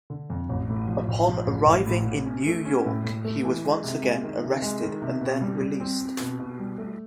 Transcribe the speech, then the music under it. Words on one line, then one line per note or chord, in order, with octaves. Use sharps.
Upon arriving in New York, he was once again arrested and then released.
D3
F2
A1
A2
F3
A1
F3
A1
A1
A2
A2
C#4
A3
C#4
A2
A2
A3
E3
G#3
C3
G#3
D#3
C3
G#3
D#3
C3
B2
G3
G3
C4
C4
B2
B2
G3
A3